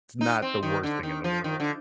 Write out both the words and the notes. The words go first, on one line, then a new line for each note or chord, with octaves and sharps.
it's not the worst thing in the world.
D#4
C4
D#3
D3
D#3
F3
D#3
D3